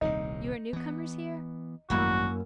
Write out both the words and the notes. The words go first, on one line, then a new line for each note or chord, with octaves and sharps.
You are new-comers here?
D#1 C2 C3 D#4
E3 B3
G#1 F#2 G3 A3 A#3 E4 F#4